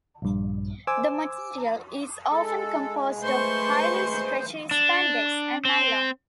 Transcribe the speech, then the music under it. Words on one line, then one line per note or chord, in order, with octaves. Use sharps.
The material is often composed of highly stretchy spandex and nylon.
A#1 G2
C5 G#5 D6 E6
G#3 A4
A3 B4 C5 C6 C#6
D4
C4